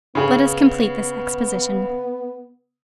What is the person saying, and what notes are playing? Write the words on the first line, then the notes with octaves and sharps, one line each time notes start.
Let us complete this exposition.
C#3 B3 G#4